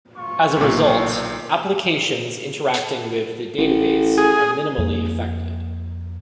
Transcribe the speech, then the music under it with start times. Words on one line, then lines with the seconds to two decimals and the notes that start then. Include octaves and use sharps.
As a result, applications interacting with the database are minimally affected.
0.17 F4 C#6
0.57 B1 A#2
3.58 A1
4.18 G#4
4.78 F2 A#3